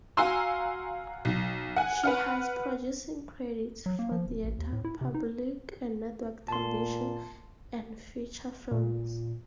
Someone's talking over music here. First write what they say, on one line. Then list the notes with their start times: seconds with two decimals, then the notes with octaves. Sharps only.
She has producing credits for theater, public and network television, and feature films.
0.17 F#4 F5 G#5 A#5 C6 E6
1.25 B1
1.76 F#5 G#5
2.03 B4 F#5 F6
3.86 F#3
3.99 A#3
4.12 F3
4.27 D1
4.45 A1
4.58 D#2
4.73 A2
4.84 E4
5.01 C3
5.14 D#4
6.48 A#2 A5 C6
8.71 A#2